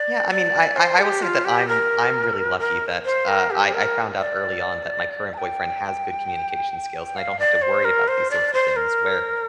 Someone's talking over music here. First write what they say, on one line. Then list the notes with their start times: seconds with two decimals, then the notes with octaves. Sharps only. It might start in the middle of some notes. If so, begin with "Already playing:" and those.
Yeah, I mean, I I I will say that I'm I'm really lucky that, uh, I I found out early on that my current boyfriend has good communication skills, and I don't have to worry about these sorts of things, where,
Already playing: D5
0.31 D5
0.76 C5
1.00 G4
1.22 F4
1.45 G4
1.68 A#4
2.59 A#4
3.05 C5
3.28 A#4
3.51 G4
3.74 A#4
4.19 D5
5.34 A#5
5.38 G5
7.16 F5
7.39 D5
7.62 C5
7.85 A#4
8.08 C5
8.31 D5
8.54 C5
8.76 A#4